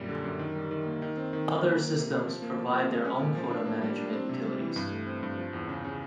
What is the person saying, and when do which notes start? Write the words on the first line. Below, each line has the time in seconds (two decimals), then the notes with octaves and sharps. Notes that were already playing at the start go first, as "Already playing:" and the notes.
Other systems provide their own quota management utilities.
Already playing: F#2 A#2 G3
0.08 D3
0.24 F#2
0.39 D#3
0.55 G3
0.71 D#3
0.86 A#3
1.02 D#3
1.17 C4
1.33 D#3
1.49 D#3
1.63 A#3
1.80 A#3
1.96 C3
2.11 C3
2.26 F3
2.42 A#3
2.57 F3
2.72 F3
2.89 G#3
3.05 C#4
3.19 A#2
3.35 F3
3.51 D4
3.66 A#3
3.82 G3
3.98 D4
4.13 C4
4.29 C3
4.44 G3
4.60 E3
4.76 G2
4.91 A3
5.07 C4
5.23 G2
5.37 F3
5.53 E2
5.69 C#3
5.84 C#3